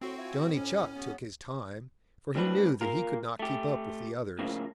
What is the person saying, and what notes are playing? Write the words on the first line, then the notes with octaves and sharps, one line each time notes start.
Johnny Chuck took his time, for he knew that he could not keep up with the others.
A2 C4 F#4 C6
E4 F4 G#5
F2 A2
C#4
C#3 F#3 B3
A2 G3 C4 D4 B4
A#3 F4 A#4
A3 G4
A2 C#3 F3 A#3